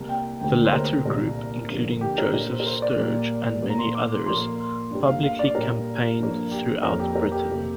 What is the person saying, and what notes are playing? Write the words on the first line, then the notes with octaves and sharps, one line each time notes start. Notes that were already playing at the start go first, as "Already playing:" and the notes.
The latter group, including Joseph Sturge and many others, publicly campaigned throughout Britain.
Already playing: C2 C3 G3 A#3
G5
D2 D3 A#3 G5
C5
A#4
C2 A#2 G3 A#3 A#4
G2 D3 F3 A#3
G4
A#4
A#2 A#3 A#4
C5
A#4
C5
D5
A#2 G3 A#3
A#2 A#3
A#5
C6
D6
A#2 F3 A#3 C6
G2 G3 A#3
F5
F5
D5
A#2 G3 A#3 A#4
G2 F3 A#3
G4
F2 F3 A#3 A#4
G4
A#4
G4
F2 C3 A#3